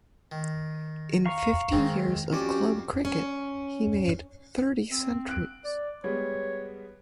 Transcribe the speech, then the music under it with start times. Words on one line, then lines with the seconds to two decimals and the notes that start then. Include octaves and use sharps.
In fifty years of club cricket he made thirty centuries.
0.32 D#3
1.26 F5 A#5 C#6
1.72 G#2 D#3 C4
2.33 F2 C#4 F#4 G4 D5
3.05 C#4
4.90 C4
5.29 F#6 D7
5.64 D5
6.04 G3 G#3 B3 C#5